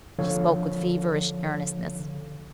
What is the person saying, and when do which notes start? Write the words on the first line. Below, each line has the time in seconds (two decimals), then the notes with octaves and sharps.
She spoke with feverish earnestness.
0.19 D3 F3 A4 C#5 F5